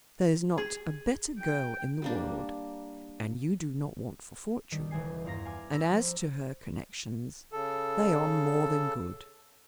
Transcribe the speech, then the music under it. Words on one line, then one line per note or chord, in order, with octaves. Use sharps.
There is not a better girl in the world, and you do not want for fortune; and as to her connexions, they are more than good.
G#4
G5
G3 A#3 D4
D#3 G3 D4
E1 C#2 E3 G#4 G#5 C7
E2 G2 F4 F5 A#5 A#6
F5 G#5 D6 F6
A#5 B5 E6 A#6
F3
C#3 A4